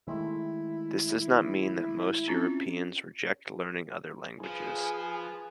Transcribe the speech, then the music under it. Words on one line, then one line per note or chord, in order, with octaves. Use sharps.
This does not mean that most Europeans reject learning other languages.
D#3 G#3 A3 E4
C4 C#4 F4
F3 G#4 B4